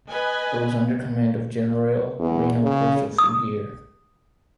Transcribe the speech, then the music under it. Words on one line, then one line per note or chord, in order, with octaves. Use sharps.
It was under command of "Generale" Rino Corso Fougier.
B4 D#5 G#5
E2
C#3
D#6